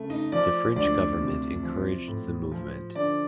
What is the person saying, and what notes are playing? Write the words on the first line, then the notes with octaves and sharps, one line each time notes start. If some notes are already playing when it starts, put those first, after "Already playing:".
The French government encouraged the movement.
Already playing: C#3 A3
D#4 D#5
F3 D5
D2 D5
C3
F3
A2
F3
D3 D5